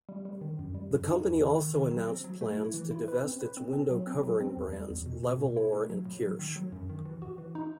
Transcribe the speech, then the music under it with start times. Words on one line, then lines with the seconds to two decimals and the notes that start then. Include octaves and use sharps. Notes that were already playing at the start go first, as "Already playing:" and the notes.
The company also announced plans to divest its window covering brands Levolor and Kirsch.
0.09 G3
0.25 G3
0.41 D#3
0.59 F#2
0.75 G3
0.91 F#2
1.09 D#4
1.25 E2
1.42 D#3
1.58 D#3
1.75 D#3
1.91 F#3
2.08 C4
2.24 F#3
2.41 A3
2.57 E4
2.74 E3
2.91 E4
3.08 B4
3.24 C4
3.41 B4
3.57 C4
3.73 C4
3.91 F#3
4.07 C4
4.23 F#3
4.40 C4
4.57 E2
4.73 G3
4.90 E2
5.06 B2
5.23 B2
5.39 B2
5.56 E4
5.73 A3
5.90 F#3
6.05 A2
6.23 F#3
6.39 D#3
6.56 F#3
6.72 F#2
6.89 D#3
7.06 E3
7.22 F#4
7.38 E3
7.55 D#4